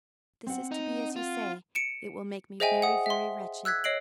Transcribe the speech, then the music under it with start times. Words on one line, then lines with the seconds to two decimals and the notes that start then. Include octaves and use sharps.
If this is to be as you say, it will make me very, very wretched.
0.47 C4 F#5
0.72 D#4
1.16 F4
1.75 C#7 D7 E7
2.60 G#4 C5 D#5 E5 G5 G#5
2.82 F#5 D#6
3.06 E5 C6
3.65 E6 F#6 G#6 B6
3.84 C#5 D#5 C7 D7 F#7